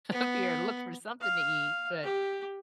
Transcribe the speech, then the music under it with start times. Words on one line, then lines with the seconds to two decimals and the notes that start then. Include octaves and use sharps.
up here and look for something to eat, but,
0.12 B3
1.21 F5
2.03 G4